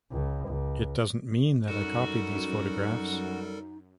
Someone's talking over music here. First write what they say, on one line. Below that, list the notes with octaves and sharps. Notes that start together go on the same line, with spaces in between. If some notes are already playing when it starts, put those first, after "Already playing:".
It doesn't mean that I copied these photographs.
C#2
C#2
F#2 G3 D#4 F#4 A4 A#4